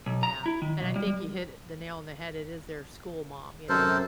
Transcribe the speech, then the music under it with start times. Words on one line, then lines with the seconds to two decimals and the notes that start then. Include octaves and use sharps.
Yeah, and I think you hit the nail on the head, it is their school mom, you know?
0.06 B1
0.23 A#5
0.46 E4
0.62 D#3
0.81 B1
0.96 G3
1.07 G3
3.69 F#2 C3 A4 A#4 C5